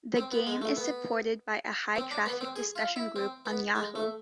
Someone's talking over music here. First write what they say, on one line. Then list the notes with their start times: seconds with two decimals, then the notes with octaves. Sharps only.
The game is supported by a high-traffic discussion group on Yahoo!
0.16 C4
0.32 B3
0.47 G#3
0.62 A3
0.77 B3
1.96 C4
2.11 D4
2.26 B3
2.41 C4
2.56 G#4
2.76 F4
2.96 E4
3.16 C4
3.46 B3
3.75 G#3
3.95 A3